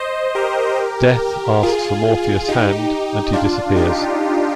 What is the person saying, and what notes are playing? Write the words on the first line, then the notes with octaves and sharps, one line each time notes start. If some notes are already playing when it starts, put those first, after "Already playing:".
Death asks for Morpheus' hand, and he disappears.
Already playing: C5 D#5
G4 A#4
F4 G#4
D#4 G4
D4 F4
D#4 G4